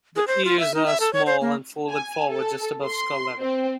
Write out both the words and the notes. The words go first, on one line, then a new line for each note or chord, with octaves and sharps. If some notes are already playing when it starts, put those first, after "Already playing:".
The ears are small and folded forward just above skull level.
G#4
C5
F4
E5
D#4
E5
A4
C#5
C5
A#3
G#5
A4
C6
C4